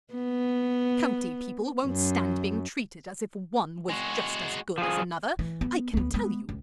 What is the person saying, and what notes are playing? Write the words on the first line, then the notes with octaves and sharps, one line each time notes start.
County people won't stand being treated as if one was just as good as another, I can tell you!
B3
F#2
G#3 F#4
F3 G#4
E3
B3
D2 B3
G#3 B3
C#2